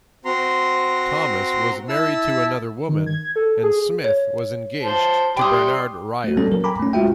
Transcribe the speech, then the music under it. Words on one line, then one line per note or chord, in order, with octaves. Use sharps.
Thomas was married to another woman, and Smith was engaged to Bernard Reiher.
C4 F#4 A#5 C6
E4 A5 E6
D#3
G#6
A4
G#4
C#5
C5 A5
G3 G5 C6 D6 D#6
A3 F#4
G3 A#3 C4 C#4 A4
F#3 A#4
G5 G#5 A#5 B5 D6
A3 C#4
G#3 F4 F#4 E5 G5